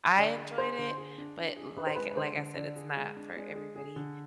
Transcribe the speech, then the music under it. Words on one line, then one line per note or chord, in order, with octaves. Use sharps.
I enjoyed it, but l like like I said, it's not for everybody.
D3 D5
G#4
G#4 C5
D3
G#4
D4
D4
G#4
D4 B4
C5
G#3 B4
B4
D3 C5
D3
D3 D5
G#4
G#3
D4
G#3
G#4
G#4
D3